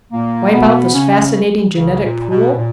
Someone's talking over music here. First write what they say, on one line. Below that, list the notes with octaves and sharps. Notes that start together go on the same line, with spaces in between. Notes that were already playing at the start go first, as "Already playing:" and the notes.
Wipe out this fascinating genetic pool?
A#2 A#3
B2 B3
C#3 C#4
C#2 C#3
A#2
B2
B2
A#2